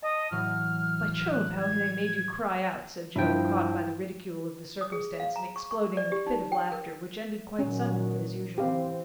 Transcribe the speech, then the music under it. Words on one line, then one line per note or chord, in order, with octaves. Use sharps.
"By Jove, how they made you cry out!" said Joe, caught by the ridicule of the circumstance, and exploding in a fit of laughter which ended quite suddenly, as usual.
D#5 A5
A2 E3 F#3 F6
F#6
G#6
G2 F3 E4 G5
D#6
G#4
F5
A#5
C#6
C#6
D5
G4
D#4
G5
A#4
A#2 D#3 F#3 C#4
E3 C4 G4 F5